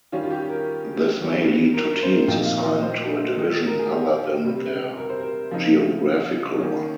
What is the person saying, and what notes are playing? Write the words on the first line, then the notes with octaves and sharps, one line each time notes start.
This may lead to teams assigned to a division other than their geographical one.
D#3 G3 C#4 F4
F4
G4
A#4
D#3 G3 C#4
A#4
A#4
C5
A#4
A#2 F3 C4 D#4 G5
F5
F5
D#5
C5
D#3 G#3 D#4
A#4
G#4
G4
C3 G3 C4
A#4
C5
A#4
C#3 F3 C4 D#4
D#3 A#3 C#4